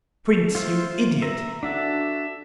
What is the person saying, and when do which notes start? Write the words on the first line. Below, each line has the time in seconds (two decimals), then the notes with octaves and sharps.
"Prince, you idiot!"
0.55 F4 C5 E5
1.22 E5 A#5
1.63 D4 F#4 A4 E5